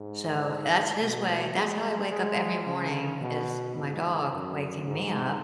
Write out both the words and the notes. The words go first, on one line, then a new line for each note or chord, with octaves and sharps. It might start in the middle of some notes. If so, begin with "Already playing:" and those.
So that's his way That's how I wake up every morning is my dog waking me up.
Already playing: G#2
B2
G#3
G#3
C#3
B2
G#2
F#2
G#2